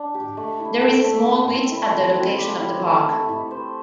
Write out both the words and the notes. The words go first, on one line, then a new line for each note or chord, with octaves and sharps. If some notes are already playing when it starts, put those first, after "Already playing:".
There is a small beach at the location of the park.
Already playing: D4
G4
A3
E4
A4
E5
C4
C4
E4
F3
C4
G4
E4
A4
A3
E4
C5